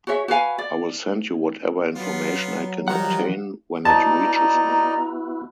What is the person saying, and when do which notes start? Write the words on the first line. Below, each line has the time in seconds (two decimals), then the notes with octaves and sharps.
I will send you whatever information I can obtain when it reaches me.
0.07 F#4 G#4 C#5 E5
0.28 F#4 B4 F5 G#5
0.58 D5
1.95 F#3 B3 F4
2.88 D#3 F3 G3 F#5 A#5
3.85 B3 D#4 E4 F#4 D5 D#5 A5 A#5